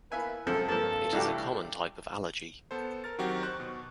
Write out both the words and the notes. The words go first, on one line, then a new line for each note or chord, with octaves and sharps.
It is a common type of allergy.
A#3 B3 E4 B4 E5 G#5
F#2 D3 F3 C4 A4
G2 F3 A#3 A4 A5
C2 E3 A3 D4 E4 F#4 G4 F5
B3 A4 C5
A#4 F6 A6
D#3 F#3 C4 F#4 G4
C5 C6 C#6 F#6
B2